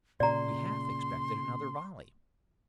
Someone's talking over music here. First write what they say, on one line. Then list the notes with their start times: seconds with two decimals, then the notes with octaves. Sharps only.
We half expected another volley.
0.20 A#2 C#3 D5 A#5 C6